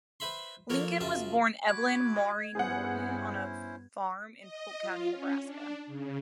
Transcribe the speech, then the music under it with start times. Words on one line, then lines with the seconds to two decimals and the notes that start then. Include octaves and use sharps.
Lincoln was born Evelyn Maurine Norton on a farm in Polk County, Nebraska.
0.20 B4 C5 E5 B5 C6
0.70 F3 A#3 A4 A#4 C#5
1.01 F#2 C#3 F4 E5 A5
1.68 F#4 B5 D6 G#6
2.16 D#5
2.55 G2 B3 C#4 E4 G#4 C5 F#5
4.40 D#5
4.81 F4
5.11 C#4
5.43 D4
5.87 C#3